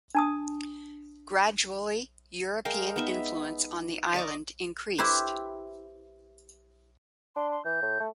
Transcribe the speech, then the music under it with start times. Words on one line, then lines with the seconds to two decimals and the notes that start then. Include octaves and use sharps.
Gradually, European influence on the island increased.
0.15 D4 A5 D#6
2.65 G#3 A#4 F5 G5
2.96 B3 D#4 E5
4.14 D5 D#5 C#6 D6
4.98 E4 G4 B4 C5
7.36 D4 C6
7.51 C6
7.65 E3 G6
7.82 A2
8.00 A3